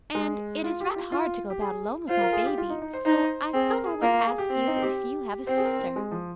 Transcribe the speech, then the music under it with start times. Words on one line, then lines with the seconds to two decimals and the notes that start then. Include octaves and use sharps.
"And it is right hard to go about alone with my baby, so I thought I would ask you if you have a sister."
0.15 G#3
0.64 F4
0.80 G4
0.96 F4
1.12 F4
1.50 G4
1.61 G#4
2.09 F4 C5
2.20 A#4
2.32 G#4
2.46 G4
2.58 F4
2.70 D#4
2.82 D#4
2.94 C5
3.05 D#4 C5
3.54 C4 G#4
3.70 A#4
3.85 G#4
4.02 A#3 F4
4.27 G#4
4.38 G4
4.51 C4
4.67 D#4
4.82 G4
5.47 C4 C5
5.57 G#4
5.64 A#4
5.79 C4
5.96 G#3
6.11 F3